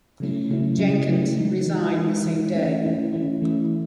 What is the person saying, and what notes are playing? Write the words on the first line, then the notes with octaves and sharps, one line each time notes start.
Jenkins resigned the same day.
C#3 F#3 A3 C#4 E4
C#3 F#3 A3 C#4 E4
C#3 F#3 A3 C#4 E4
C#3 F#3 A3 C#4 E4
E3 G#3 D#4
E3 G#3 D#4
E3 G#3 D#4
E3 G#3 D#4
E3 A3 C#4 E4
E3 A3 C#4 E4
E3 A3 C#4 E4
E3 A3 C#4 E4